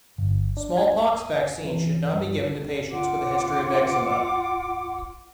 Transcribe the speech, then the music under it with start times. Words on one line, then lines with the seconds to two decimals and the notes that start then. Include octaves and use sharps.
Smallpox vaccine should not be given to patients with a history of eczema.
0.18 G1
0.57 D4
0.77 G#5
1.18 D#6
1.36 G#5
1.64 E3
2.14 G2
2.91 F4 F#5 D6